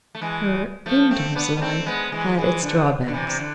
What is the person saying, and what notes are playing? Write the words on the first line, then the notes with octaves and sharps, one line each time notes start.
Her in-doors life had its drawbacks.
A3
E3 G#3
F3 A3
A3 C4
B3 D4
B3
A3 C4
G#3 B3
E3 G#3
E3 G#3
D3 F3
D3
C3 E3
C3
D3